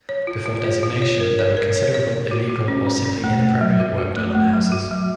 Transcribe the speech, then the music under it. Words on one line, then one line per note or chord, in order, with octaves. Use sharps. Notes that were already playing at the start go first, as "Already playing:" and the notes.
Before designation there was considerable illegal or simply inappropriate work done on houses.
C#5
F4
F4
C#5
F4
C#5
A#4
C#5
A#4
C#5
C#5
A#4
F#4
F#4
C#4
C#4
C#4
A3
A3
F#3
F#4
F#4
A3
A3
F#3
F#4
F#3